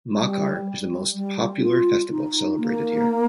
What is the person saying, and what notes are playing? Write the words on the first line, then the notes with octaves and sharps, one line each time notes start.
"Makar" is the most popular festival celebrated here.
G3
G3
F4
D#4
A#3